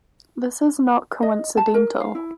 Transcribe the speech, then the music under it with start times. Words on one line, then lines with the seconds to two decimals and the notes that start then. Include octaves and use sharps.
This is not coincidental.
1.22 D#5
1.57 A5
1.74 A#4
2.00 F5
2.15 E4